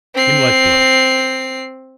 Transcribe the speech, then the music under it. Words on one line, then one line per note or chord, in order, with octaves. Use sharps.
Heem like blood.
C4 C7